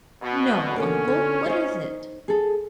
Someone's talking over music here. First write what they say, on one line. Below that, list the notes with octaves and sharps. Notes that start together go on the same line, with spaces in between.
"No, uncle, what is it?"
B2
B2 D3 A#3 C#4
D3
D#4 C5
G#4 A4